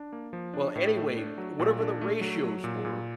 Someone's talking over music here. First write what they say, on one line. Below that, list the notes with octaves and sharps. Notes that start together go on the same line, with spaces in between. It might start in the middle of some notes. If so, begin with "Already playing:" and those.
Well, anyway, whatever the ratios were,
Already playing: D4
A#3
F3
D4
A2
A3
D4
F#3
A#2
D4
A3
F#3
F#3
A#2
A#2